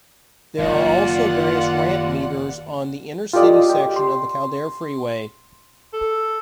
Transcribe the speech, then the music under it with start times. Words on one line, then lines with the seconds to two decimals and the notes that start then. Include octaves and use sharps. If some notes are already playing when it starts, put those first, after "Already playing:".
There are also various Ramp Meters on the inner-city section of the Calder Freeway.
0.58 F#1 D#2 F4 D5 F#5
3.33 F4 G4 A4 D5 D#5
3.70 G4
3.96 C6
5.93 A4